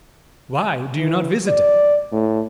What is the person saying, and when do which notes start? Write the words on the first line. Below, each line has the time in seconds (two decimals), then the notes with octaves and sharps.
Why do you not visit her?
0.97 E3
1.48 D5
2.12 A2